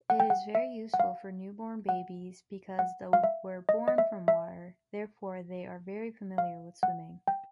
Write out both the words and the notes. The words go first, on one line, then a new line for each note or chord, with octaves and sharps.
It is very useful for newborn babies because the were born from water, therefore they are very familiar with swimming.
F#5
G5
F#5
E5
F#5
F5
F#5
F#5
F5
E5
D#5
D#5
E5
E5
F5
F#5
G5